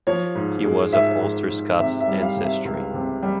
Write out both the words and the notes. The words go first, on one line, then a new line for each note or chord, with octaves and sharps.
He was of Ulster Scots ancestry.
F3 C#5
G#2
G#3
G#2 E5
G#2
G#2
C3 E5
E5
G3
F5
C3
E5
C#2
C3
G3